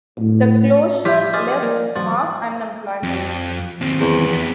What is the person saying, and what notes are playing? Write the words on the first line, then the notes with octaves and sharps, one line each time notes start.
The closure left mass unemployment.
A2
F3 G3 E4 F4 G4 G6 B6
D#4 G#4 C5 D6 F6 A6
A#3 D5
E2 G#2 F3 F#3 A6
F2
D#2 C4
E2
F2 B3